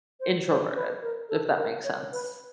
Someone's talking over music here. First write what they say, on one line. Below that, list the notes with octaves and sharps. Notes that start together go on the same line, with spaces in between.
introverted, if that makes sense.
C5
C5
B4
A#4
A4
A#4
C#5
B4